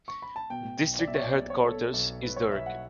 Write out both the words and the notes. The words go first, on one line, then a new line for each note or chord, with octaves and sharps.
District headquarters is Durg.
C#6
B5
A5
B2 G5
B1
D5
B2 E5
C#5
D5
B1 D5
C#5
B2 A4
B1
B2 B4
C#5
B1 E5
F#5